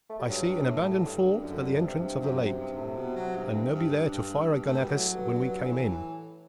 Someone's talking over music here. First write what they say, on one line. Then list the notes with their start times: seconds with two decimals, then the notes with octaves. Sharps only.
I see an abandoned fort at the entrance of the lake, and nobody there to fire a gun at us when we came in.
0.10 A3
0.19 G3
0.29 G2 F#3
0.67 A2
1.05 G2 D3
1.43 F#2 D3
1.74 F#2
1.82 G2 C3
2.21 F#2
2.59 G2
2.78 A2
2.96 B2
3.16 F#3
3.36 G2
3.74 G2
4.12 G2
4.67 A3
4.79 B2 G3
4.88 A2 F#3
5.14 G2
5.39 G2
5.64 A2 E3